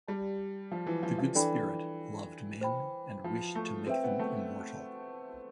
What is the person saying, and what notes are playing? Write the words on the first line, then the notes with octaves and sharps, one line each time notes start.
The Good Spirit loved men and wished to make them immortal.
G3 G4 D5 A5
F3
E3
F3
F3
E3 D4 A4 D5 G5 B5
C5 G5 B5
F3
A3
C4 B4 E5 G5
B3
A3